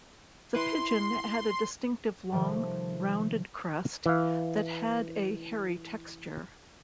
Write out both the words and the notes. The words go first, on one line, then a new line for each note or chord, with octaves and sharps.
The pigeon had a distinctive long, rounded crest that had a hairy texture.
E4 B4 C6
C3 D#3 F3 G3 A3
E3 F5